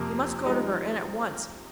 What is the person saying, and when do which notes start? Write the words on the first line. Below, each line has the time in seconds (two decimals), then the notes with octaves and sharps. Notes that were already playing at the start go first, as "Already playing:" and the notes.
He must go to her, and at once.
Already playing: F2 C3 F3 A#3
0.45 F3 G#3 C4 D#4 G4